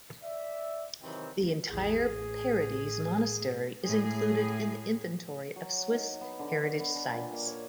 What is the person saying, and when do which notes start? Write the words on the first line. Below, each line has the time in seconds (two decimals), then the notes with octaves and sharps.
The entire "Paradies" monastery is included in the Inventory of Swiss Heritage Sites.
0.22 D5 E5
1.00 C3 D#3 E3 F#3 C4
1.68 A1 E2 G#4
2.09 A2
3.85 A2 G#4
5.56 F#3
5.90 D#4
6.21 B3
6.39 D3
6.54 D#5
6.80 B3
6.95 D4
7.14 A#2
7.33 A#3
7.47 C#5